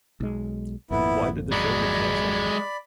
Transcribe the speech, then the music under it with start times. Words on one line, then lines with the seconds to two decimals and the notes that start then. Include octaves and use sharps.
Why did the show got cancelled?
0.20 B1 G#3
0.91 G#1 F2 A#2 B3 E4
1.52 F#3 G#3 D5 B5